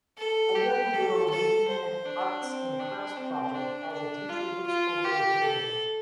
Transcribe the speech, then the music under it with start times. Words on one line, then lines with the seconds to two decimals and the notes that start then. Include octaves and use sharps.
A young girl making an arts and crafts project as a teacher looks over the table.
0.18 A4
0.55 G4
0.93 A4
1.30 A4
1.68 C5
2.05 D4
2.42 C4
2.80 D4
3.17 C4
3.55 D4
3.92 D4
4.29 F4
4.67 F4
5.04 G4
5.42 A4